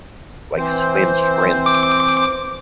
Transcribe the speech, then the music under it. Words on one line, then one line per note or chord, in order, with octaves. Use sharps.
like swim sprint
E3 C4 C5
D6